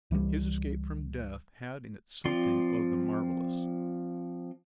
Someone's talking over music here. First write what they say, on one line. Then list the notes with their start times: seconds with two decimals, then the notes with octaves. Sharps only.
His escape from death had in it something of the marvellous.
0.11 C#2 E3 F#3 G3
2.25 F3 C4 F4 D5 C6